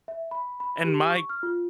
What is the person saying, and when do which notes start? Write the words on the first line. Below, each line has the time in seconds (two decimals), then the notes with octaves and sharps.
And my g
0.08 E5
0.31 B5
0.60 B5
0.84 G4
1.10 C#6
1.29 F6
1.43 F4